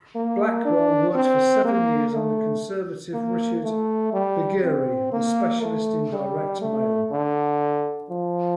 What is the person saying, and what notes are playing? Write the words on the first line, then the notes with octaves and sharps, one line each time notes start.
Blackwell worked for seven years under conservative Richard Viguerie, the specialist in direct mail.
A#3
D4
C4
A#3
A3
A#3
A3
G3
C4
A#3
A3
G3
A3
D3
F3